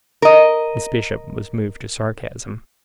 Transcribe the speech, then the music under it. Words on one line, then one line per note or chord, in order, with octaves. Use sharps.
Miss Bishop was moved to sarcasm.
A#4 D#5